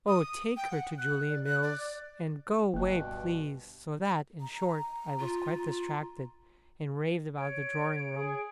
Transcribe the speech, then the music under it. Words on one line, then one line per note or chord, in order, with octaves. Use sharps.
Oh, take her to Julia Mills, and go away, please! So that, in short, I was quite distracted, and raved about the drawing-room.
D#6
G5
F#5
F#6
D5
F#6
D5
F#1 G2 B2 G5 F#6
A#5
F4
C#5 D7
G#4